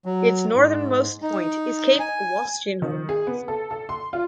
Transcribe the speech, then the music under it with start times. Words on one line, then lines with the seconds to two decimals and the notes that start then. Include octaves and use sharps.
Its northernmost point is Cape Wolstenholme.
0.05 F#3
0.55 G#2
1.22 D#4
2.00 G#5
2.82 D#3
3.09 G#4
3.27 B3
3.48 A4
3.71 A4
3.89 C6
4.13 F4